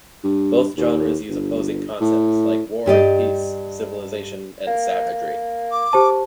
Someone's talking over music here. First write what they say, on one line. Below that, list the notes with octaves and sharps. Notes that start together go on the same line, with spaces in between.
Both genres use opposing concepts like war and peace, civilization and savagery.
G2
D#2
G1
A2
G2 G4 D5 D#5
A#3
A#3
D6
G4 C5 A5